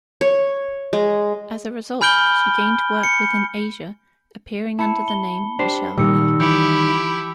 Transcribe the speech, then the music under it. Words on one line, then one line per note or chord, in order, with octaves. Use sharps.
As a result, she gained work within Asia, appearing under the name "Michelle Lee".
C#5
G#3
G#5 B5 F6 G6 D7 G7
C#7
E4 A5 B5 C#7
G7
D4 G4 C5
A#2 D#3 G3 E6 C#7
E3 E4 G4 G6 C#7